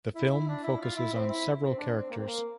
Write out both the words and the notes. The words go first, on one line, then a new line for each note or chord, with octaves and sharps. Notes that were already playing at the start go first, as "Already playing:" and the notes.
The film focuses on several characters.
E4
E4
D4
E4
F4
E4
C4
E4
C4
D4
C4
A#3
C4
A#3